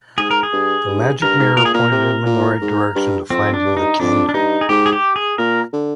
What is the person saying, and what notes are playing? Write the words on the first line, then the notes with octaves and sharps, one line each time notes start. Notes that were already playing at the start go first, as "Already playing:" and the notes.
The magic mirror pointed him in the right direction to finding the kingdom.
G#2 G#4
A#4
G#4
G2
G2
G2 A#4
G#2
A#2 A#4
G#4
A#2 A#4
C3
A#2
G#2
G2
F2 C4
D4
G2
D#4
F2 D4
D4
G2 D#4
G#4
G#2 G4
G#4
G4
G#4
A#2 A#4
D3